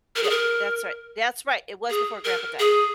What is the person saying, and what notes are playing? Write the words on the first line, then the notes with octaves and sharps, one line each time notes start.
Yep, that's right. That's right, it was before Grandpa died.
A#4
G#4
A#4
G#4
A#4
G#4